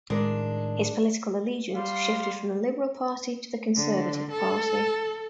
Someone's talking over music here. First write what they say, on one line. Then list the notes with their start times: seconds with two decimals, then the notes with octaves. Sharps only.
His political allegiance shifted from the Liberal Party to the Conservative Party.
0.10 A2 D#3 G#3 D4 A#4 D5
1.75 G3 F5 C6
3.76 D3
4.31 A4